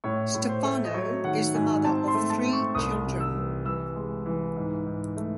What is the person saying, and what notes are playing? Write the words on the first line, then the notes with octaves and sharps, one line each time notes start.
Stefano is the mother of three children.
A2 C#5
A2
C5
A3
D#5
F#3 C#5
D#3 F#5
G#2 G#5
C4 A5
C6
A3
A5
C4
C#6
C2 D#6
C3
E6
E3
E3 E6
G#3
E3
G#2
G#2
A3